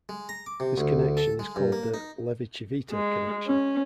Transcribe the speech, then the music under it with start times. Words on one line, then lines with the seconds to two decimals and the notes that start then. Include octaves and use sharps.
This connection is called the Levi-Civita connection.
0.09 G#3
0.29 A#5
0.46 D6
0.60 C3
0.78 D2
1.17 A4
1.39 G#3
1.56 G2
1.72 A#3
1.94 D#4
2.92 G#3
3.47 C#4